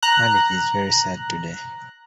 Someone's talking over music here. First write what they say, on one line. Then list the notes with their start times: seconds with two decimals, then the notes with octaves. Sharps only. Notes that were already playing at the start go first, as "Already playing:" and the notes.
Hardik is very sad today.
0.02 A#5 F#6